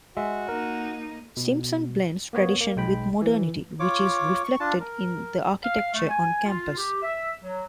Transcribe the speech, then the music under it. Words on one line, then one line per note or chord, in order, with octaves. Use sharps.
Simpson blends tradition with modernity which is reflected in the architecture on campus.
G#3 F#4 E5
A#3 D#4 A#4
B2
A#3 B3 C#5
A#3
B1 G#3 G5 B5
E3
F4 C#5 D6
C#6
D4 F4 A5
A#4
F5
A3
G#5
F4
G4
E5
F#3